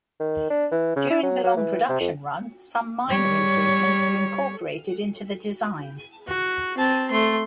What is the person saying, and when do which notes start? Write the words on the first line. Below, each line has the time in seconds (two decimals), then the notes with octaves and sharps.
During the long production run, some minor improvements were incorporated into the design.
0.20 D#3
0.50 D4
0.72 E3
0.96 C#3
1.11 E4
1.23 F#3
1.44 F#3
1.57 E3
1.89 C3
2.00 F2
3.09 G3 C#5
6.28 F#4
6.78 C4 A5
7.11 A3 C6